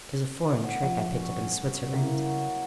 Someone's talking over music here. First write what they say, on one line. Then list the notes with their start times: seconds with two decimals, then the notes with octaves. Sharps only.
'Tis a foreign trick I picked up in Switzerland.
0.59 B3 C#5
0.83 F3
1.11 G2 C#4
1.93 C#3 E3 A#3
2.18 F#3